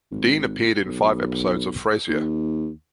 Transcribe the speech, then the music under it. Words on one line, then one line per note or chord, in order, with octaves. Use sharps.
Dean appeared in five episodes of "Frasier".
G#1
B1
D#2